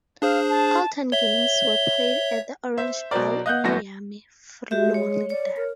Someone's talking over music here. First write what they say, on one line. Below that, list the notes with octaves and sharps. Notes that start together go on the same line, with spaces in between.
All ten games were played at the Orange Bowl in Miami, Florida.
D4 G#4 C5 F5
A5
C#5 E5 G7
C5 E5
B2 F#3 A#4 C5 D5
D#5 F5 F#5 F#6 G6
G1 F#2 E3 A3 F#4 A#6
G#3 F#4 G4 E5
C#5
C#5 D5
A#4